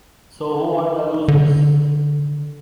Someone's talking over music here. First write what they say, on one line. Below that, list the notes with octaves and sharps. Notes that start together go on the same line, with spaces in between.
So who are the losers?
D3